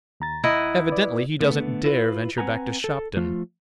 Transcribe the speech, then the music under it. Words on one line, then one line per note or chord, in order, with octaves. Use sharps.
Evidently he doesn't dare venture back to Shopton.
D#2 A#5 A6
E4 D#5 F#5
B4 D5
D3 A3 B3
E4 F4 B4
C4 B4 F#5 G#5 A#5
A4
F3 A3 F4